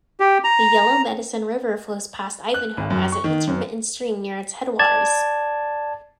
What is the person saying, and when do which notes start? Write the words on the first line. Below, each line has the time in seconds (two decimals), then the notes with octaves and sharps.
The Yellow Medicine River flows past Ivanhoe as an intermittent stream near its headwaters.
0.20 G4
0.44 A#5
2.54 F#6
2.77 G#1
2.90 F#2
3.12 C#6
3.24 D#3
3.47 F#2
4.79 D5 A5 G#6